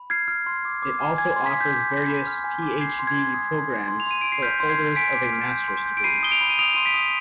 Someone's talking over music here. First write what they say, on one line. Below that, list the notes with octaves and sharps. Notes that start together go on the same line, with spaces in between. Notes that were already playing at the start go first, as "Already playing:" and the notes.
It also offers various Ph.D. programmes for holders of a master's degree.
Already playing: B5
F6 G#6 C7
F6
C6
D6
D6
G#5
G#5 G#6
C6
B6
G#5 G#6
G6 B6
D6
B5
B5
F6
G#5
D6
G6 G#6 C7
C6
G#6
C6
D#6
C6
G#5
C6
F7
C6 D#7
C6 D7
C7
F6 G6 B6
C6
G#6 C7
C6
G#5 B6 D7
D6
F6
G6
C6
G6
D7
B5 C7 D#7
D#6 G7
D7 F7
B5
D#7
D#6 D7 F7
C6 D#7
B6 D7
D#6